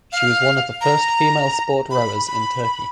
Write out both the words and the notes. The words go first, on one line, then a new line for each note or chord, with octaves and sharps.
She was one of the first female sport rowers in Turkey.
F5
A#5
B5
B5